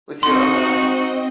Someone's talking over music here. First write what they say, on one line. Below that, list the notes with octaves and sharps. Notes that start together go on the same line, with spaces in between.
With your own eyes?
C4 D#4 F#4 D#5 C6